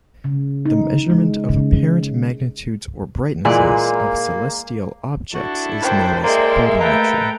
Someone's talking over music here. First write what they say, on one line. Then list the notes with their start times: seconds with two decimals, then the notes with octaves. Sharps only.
The measurement of apparent magnitudes or brightnesses of celestial objects is known as photometry.
0.24 C#3
0.65 D#4
1.10 G#3
1.49 C#3
3.45 A#2 E3 G#3 A#3 D5
5.34 D4 E4 F#4 A4
5.82 F#2 C5 G5 A5
6.24 G#3 A#3 A4 C5 D5 E5 G5 C6
6.80 A3 A#3 A4 B4 G5 A#5